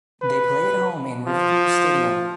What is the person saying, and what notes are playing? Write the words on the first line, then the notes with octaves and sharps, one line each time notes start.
They play at home in Riverview Stadium.
B4
F3